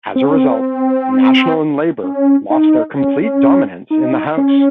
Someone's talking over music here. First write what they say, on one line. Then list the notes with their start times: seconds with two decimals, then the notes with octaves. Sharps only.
As a result, National and Labour lost their complete dominance in the House.
0.16 C4
0.26 C#4
0.36 C4
2.04 C#4
2.50 D#4
2.96 C#4
3.91 D#4
4.37 C#4